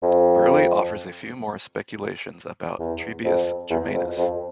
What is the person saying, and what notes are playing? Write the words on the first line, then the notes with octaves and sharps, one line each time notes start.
Birley offers a few more speculations about Trebius Germanus.
F2
E2
F2
E2
F2
F2